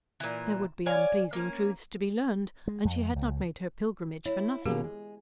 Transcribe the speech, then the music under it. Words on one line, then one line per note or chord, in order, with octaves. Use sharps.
There would be unpleasing truths to be learned, and she had not made her pilgrimage for nothing.
A#2 E3
C#5 D5 F5 G#5
A#3 C#4
G#3
F2
C#2
E4 C#5
B2 A#3 C#4 G4 G#4
G#3